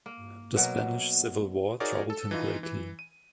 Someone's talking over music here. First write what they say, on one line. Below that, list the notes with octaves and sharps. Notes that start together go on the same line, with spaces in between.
The Spanish Civil War troubled him greatly.
A#3
B2 F#3 A#3 A#4
D#4 F#4 G#4 A#4 C#5 D5
A4
E3 D#4 F4
E3
D#7